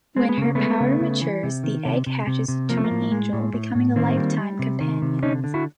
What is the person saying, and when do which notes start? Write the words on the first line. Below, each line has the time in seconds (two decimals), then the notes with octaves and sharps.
When her power matures, the egg hatches into an angel, becoming a lifetime companion.
0.17 G#3 C4
0.29 B3
0.38 C#3 A#3
0.55 G#3 A3 B3
0.80 C#3
1.01 C#3
1.21 E3
1.43 C3
1.64 D#3
1.85 C3
2.06 C3
2.27 C3
2.48 C3
2.69 F3 A#3
2.77 A3
2.84 A#3
2.91 A2
3.12 G#3
3.33 A2
3.53 A2
3.75 A2
3.96 D#3 A#3 C4
4.17 G3
4.38 G3
4.59 C3
4.80 D#3
5.02 C3
5.23 D3 C#4 D#4
5.44 D3
5.54 E4 F#4